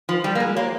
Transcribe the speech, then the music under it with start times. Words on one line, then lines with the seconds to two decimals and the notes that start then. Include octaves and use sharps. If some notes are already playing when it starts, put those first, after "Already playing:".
It’ll it'll
0.09 F3
0.24 G3
0.35 A#3
0.40 G#3
0.57 A#3